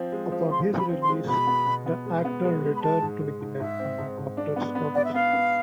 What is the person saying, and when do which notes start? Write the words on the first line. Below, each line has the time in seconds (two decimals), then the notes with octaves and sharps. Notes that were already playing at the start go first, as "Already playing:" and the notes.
Upon his release, the actor returned to England under doctor's orders.
Already playing: F3 C4
0.12 G#3
0.32 F3
0.51 F3 C6
0.70 F3
0.77 B5
0.90 C4
1.02 C6
1.09 G#3
1.28 B2 B5
1.47 B3
1.66 B2
1.86 B3
2.05 G#3
2.25 B3
2.44 G#3
2.63 G#3
2.75 B5
2.82 G#3 A5
3.02 G#2
3.21 G#3
3.41 G#2
3.60 G#2 E5
3.79 C4
3.98 G#2
4.18 G#2
4.37 D4
4.56 B3
4.75 B3
4.94 B3 D5
5.04 E5
5.14 B3 F5
5.33 B3